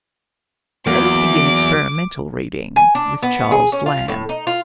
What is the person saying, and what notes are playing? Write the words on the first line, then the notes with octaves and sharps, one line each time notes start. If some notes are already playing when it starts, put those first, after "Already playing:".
Let us begin experimental reading with Charles Lamb.
E2 F#3 A#3 D6
G#5
D4
B3
G#4
C#4
F4
A2
D#4
F4